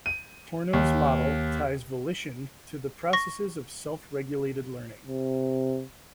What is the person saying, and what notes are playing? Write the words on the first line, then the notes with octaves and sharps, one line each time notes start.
Corno's model ties volition to the processes of self-regulated learning.
D#7
D#2
C#6 A#6
C3